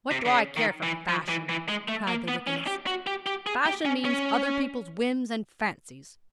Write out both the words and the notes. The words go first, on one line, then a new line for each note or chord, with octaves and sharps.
What do I care for fashion?' cried the Wykehamist. 'Fashion means other people's whims and fancies.
C3
D3
C#3
D#3
E3
F3
E3
E3
G#3
A3
A#3
B3
C#4
G4
F#4
G4
G4
G#4
G4
C#4
C#4